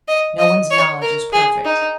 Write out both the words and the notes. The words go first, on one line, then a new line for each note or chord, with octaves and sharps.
No one's knowledge is perfect.
D#5
D#5
C#5
A#4
G#4
D#4